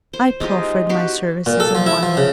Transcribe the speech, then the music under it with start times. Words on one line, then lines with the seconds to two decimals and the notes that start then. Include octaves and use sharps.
I proffered my services and money.
0.13 C5
0.40 G#3 D#4 F4 G4
0.89 F#4 G4
1.46 A#2
1.60 A4
1.75 F3
1.86 E4
2.03 F3
2.17 C#3